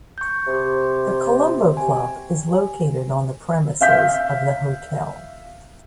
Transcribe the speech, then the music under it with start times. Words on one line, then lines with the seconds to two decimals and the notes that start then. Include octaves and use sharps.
The Colombo Club is located on the premises of the hotel.
0.18 C#6 G6
0.47 C3
1.77 G4 G#5
3.81 E5 F5 G6 B6